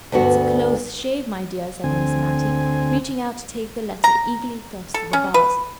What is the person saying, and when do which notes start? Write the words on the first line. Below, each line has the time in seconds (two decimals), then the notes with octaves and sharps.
"It's a close shave, my dear," said Miss Mattie, reaching out to take the letter eagerly thrust through the bars.
0.12 D2 G2 B3 F#4
1.84 D2 C4 G#5
4.04 A#5
4.94 A4
5.13 C#4
5.34 B4